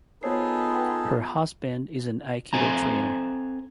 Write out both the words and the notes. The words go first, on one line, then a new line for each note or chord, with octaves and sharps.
Her husband is an aikido trainer.
B3 D#4 F4 G#4 A4 C5 C#5 C7
B4 F#5 G5
C4 A4 C5 G#5 A#5